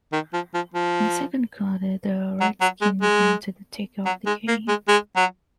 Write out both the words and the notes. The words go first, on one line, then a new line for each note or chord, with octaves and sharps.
In the second quarter, the Redskins began to take over the game.
D#3
F3
F3
F3
F#3
F#3
G#3
G#3
F#3
G#3
A#3
G#3
G#3
F#3